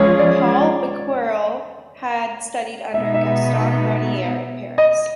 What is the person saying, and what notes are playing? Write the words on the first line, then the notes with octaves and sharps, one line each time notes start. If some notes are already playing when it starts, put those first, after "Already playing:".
Paul Becquerel had studied under Gaston Bonnier in Paris.
Already playing: F3 G#3 C#4 F4 G#4 C#5
D5
B2 G#3 B3 D#4 E5
E5
D#5